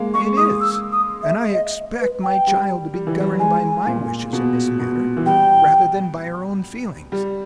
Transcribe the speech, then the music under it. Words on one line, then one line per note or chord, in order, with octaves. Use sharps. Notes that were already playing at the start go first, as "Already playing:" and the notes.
"It is; and I expect my child to be governed by my wishes in this matter rather than by her own feelings."
Already playing: G#3 A#3
G#3 C#6
G#3 D#6
E6
D#6
E5
D#5
B4
G5
G3
G3
E3
G3
G#3 G#5
A#2
B2
B2
E3
G3 G5
G3